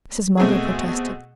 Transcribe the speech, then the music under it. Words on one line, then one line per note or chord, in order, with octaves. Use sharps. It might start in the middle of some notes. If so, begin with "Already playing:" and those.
Mrs. Munger protested.
B2 A3 C4 G#4